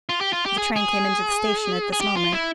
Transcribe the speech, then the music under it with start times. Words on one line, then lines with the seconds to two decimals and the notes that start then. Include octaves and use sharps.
The train came into the station at this moment.
0.09 F4
0.21 G4
0.33 F4
0.46 G4
0.58 G#4
0.76 G#4
1.93 G#4
2.01 G4
2.16 F4
2.33 E4